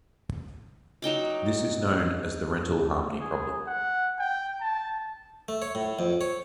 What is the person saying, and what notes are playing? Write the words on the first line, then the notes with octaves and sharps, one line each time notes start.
This is known as the Rental Harmony problem.
F#3 D#4 G5 D6
G#4
F#5
G5
A5
A3
C#5
A2
F2
C#5